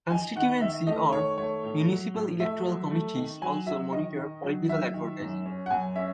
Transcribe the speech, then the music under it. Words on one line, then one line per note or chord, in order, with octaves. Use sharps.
Constituency or municipal electoral committees also monitor political advertising.
D#4 G#5
D#3 F#5
D#3 E5
A3 D#5
D#3 C#5
A3 C#5
A2
F#3
A2
A3 E5
F#3
A3
D#3
F#3 G#5
F#3 E5
D#3 D#5
D#3
F#3
F#3 E5
D#3
F#2
C#4
F#5
F#2 G#5
C#4 E5